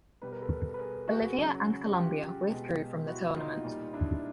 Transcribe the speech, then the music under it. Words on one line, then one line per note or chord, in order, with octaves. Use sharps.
Bolivia, and Colombia withdrew from the tournament.
B2 G3 B4
A#4
A4 B4
B4
G#4 A#4
F#4 G#4
C#3 F#3
F4 G4
B2 G#3
E4 F#4
D#4 F4
A#2 G3
D4 E4